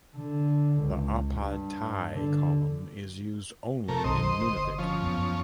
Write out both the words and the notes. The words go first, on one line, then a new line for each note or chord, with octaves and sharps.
The "ai-pai-tai" column is used only in Nunavik.
D3
C#2
G2
D3
C3 A3 A#4
B1 D3 D#3 C5 D#5
G1
F3 C#4
F#2 B3